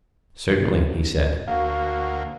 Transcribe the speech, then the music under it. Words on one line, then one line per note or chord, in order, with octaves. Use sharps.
Certainly, he said.
D2 A#3 F#4 F5